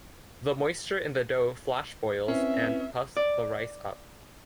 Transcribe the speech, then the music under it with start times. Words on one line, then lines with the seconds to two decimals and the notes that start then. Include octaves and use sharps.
The moisture in the dough flash boils and puffs the rice up.
2.28 C4 C#4 E4 B4 E5
3.17 D5